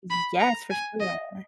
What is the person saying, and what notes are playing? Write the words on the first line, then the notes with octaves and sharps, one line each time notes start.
Yes, for sure.
B5
A#5
G#5
D#5